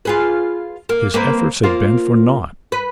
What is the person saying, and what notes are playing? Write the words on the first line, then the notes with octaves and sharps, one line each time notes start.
His efforts had been for naught.
F4 G#4 B4
A#3
A#3 C4 B4
A#3 C4 F4
B4